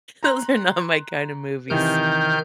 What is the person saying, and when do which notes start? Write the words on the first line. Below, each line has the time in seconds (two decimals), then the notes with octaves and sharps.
Those are not my kind of movies.
0.23 A#5 C6 F#6
1.70 C3 D#3 E3 D#4 F6 G6